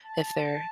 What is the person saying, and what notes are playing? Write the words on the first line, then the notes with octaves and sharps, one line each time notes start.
if they're
A5